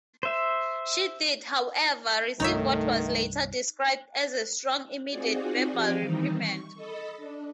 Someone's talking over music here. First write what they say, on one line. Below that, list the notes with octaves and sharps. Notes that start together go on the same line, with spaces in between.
She did, however, receive what was later described as a "strong, immediate, verbal reprimand".
C5 E5
C2 G2 D#3 A3 D#4 C#5 E5
C4 D#4 F4 F#4 G#4 D5
F3 C4 G4 D5 F5 G5
D#3 E3 G3 C4 D#4
C#6
A4 D#5 B5
D4